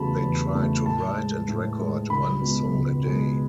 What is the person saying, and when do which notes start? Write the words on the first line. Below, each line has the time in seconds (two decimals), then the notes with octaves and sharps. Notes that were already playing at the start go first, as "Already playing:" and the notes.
They tried to write and record one song a day.
Already playing: E2 C#3 F#3 A3 A5 B5
0.23 E2
0.54 C#3 F#3 A3
0.85 A2 A5
1.18 G#3
1.48 A2
1.79 G#3
2.10 C#2 B5
2.41 B2 G#3
2.72 C#2
3.03 B2 G#3